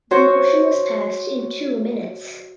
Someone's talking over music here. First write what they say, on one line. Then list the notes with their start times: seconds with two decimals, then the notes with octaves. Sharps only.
The motion was passed in two minutes.
0.11 F#4 C5 C#5